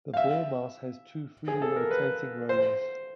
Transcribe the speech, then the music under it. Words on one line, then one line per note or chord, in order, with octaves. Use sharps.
The ball mouse has two freely rotating rollers.
F5
E5
G#4
A4
A#4
B4
C5